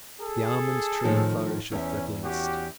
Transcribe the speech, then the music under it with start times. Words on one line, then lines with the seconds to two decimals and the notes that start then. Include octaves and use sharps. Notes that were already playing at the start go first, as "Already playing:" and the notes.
The almond-tree flourisheth at least.'
0.20 G#4 A4
1.05 A2 D#3 F3
1.72 E2 C#4 E5
2.24 C#4 F#4 G4